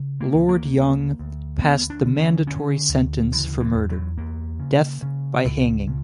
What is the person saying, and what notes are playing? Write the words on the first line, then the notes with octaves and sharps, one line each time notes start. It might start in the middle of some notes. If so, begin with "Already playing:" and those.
Lord Young passed the mandatory sentence for murder: death by hanging.
Already playing: C#3
A#3
D2
A#3
D2
D2
D2 B3
D4
D3
C#4
D3 C#4
D2
C#3 E3
E3
E2
F#3
E2 A#3
C#3
C#3
C#2
C#3